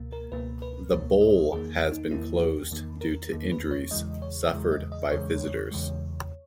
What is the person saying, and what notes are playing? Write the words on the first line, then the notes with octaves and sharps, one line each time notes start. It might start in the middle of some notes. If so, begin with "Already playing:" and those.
The Bowl has been closed due to injuries suffered by visitors.
Already playing: C#2 B2 A#3
A#4
C#2 B2 A#3 B4
B4
C#2 B2 A#3 C#5
D#5
E2 D#3 A#3 G#4
D#4
E2 D#3 A#3 E4
G4
E2 D#3 A#3
A#4
E2 D#3 A#3
B4
C#5
E2 C#3 E3 G#3 D#5
C#5
E2 C#3 E3 G#3 E5
D#5
D#5
E2 C#3 E3 G#3 C#5
E2 C#3 E3 G#3